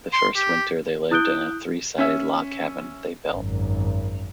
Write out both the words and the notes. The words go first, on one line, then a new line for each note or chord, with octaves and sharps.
The first winter, they lived in a three-sided log cabin they built.
C6
G4
E4 D#6 F#6 G6 D7 G7
C#4 E5
G#1 F#2